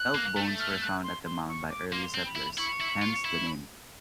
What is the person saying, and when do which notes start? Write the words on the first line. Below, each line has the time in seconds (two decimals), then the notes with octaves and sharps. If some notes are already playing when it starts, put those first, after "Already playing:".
Elk bones were found at the mound by early settlers, hence the name.
Already playing: F#6
0.14 A#3
0.37 A3
0.59 F6
0.81 F#6
1.03 C6
1.25 C6
1.48 C#6
1.70 D6
1.92 A#3 C6
2.14 C4
2.25 B5
2.35 E4
2.58 E4 C#6
2.80 E4
3.02 F4
3.25 E4